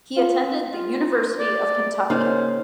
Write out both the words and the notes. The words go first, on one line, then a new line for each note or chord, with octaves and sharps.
He attended the University of Kentucky.
F4
F4
D5
C#3 A#3 D#4 C5 F5